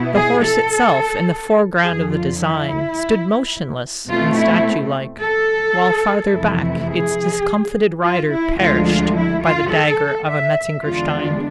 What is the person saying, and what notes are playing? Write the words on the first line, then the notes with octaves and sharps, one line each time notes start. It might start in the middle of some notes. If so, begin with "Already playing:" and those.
The horse itself, in the foreground of the design, stood motionless and statue-like--while farther back, its discomfited rider perished by the dagger of a Metzengerstein.
Already playing: B2 B3 E4
G#4
A4
F2 D3 F3 G#4
F4
E4
B2 A3 C4 F4
E4
A4
F2 C3 E3 A3 E4
G#4
F4
E4
D2 D3 F3 G#3 F4
F4
E4
F4
A4
E5
E2 D3 G#3 B3 D4 F4